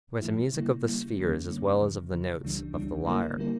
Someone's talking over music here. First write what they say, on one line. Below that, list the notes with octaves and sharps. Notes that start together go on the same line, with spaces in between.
There was a music of the spheres as well as of the notes of the lyre.
G2 F3 A3 E4
C#3 G3 A#3 E4
C#3 G3 A#3 E4
F2 D3 G3 A#3 C#4
F2 D3 G3 A#3 C#4
E2 C#3 F3
E2 C#3 F3
C#2 C#3 E3 G3 D4
C#2 C#3 E3 G3 D4
D3 G3 A#3 E4 A#4
D3 G3 A#3 E4 A#4